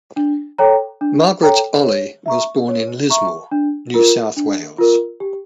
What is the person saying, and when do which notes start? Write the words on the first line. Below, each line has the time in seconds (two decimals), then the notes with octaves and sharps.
Margaret Olley was born in Lismore, New South Wales.
0.16 D4
0.58 A4 C#5 G5 A#5
1.01 D4
1.43 A4 C#5 G5 A#5
1.84 C#5
2.26 E5 A#5 C#6
2.68 C#5
3.10 E5 A#5 C#6
3.52 D4
3.94 F4 A#4
4.37 D4
4.79 F4 A#4
5.20 G4